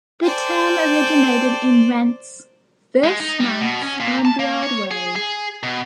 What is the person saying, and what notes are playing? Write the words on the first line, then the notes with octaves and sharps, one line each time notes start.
The term originated in "Rent"'s first months on Broadway.
A4 C5 D5 G5 G#5
G#3
D#4
G3
B2
C#4
A#2
A5
A#3
C#5
G#4
G#4
B2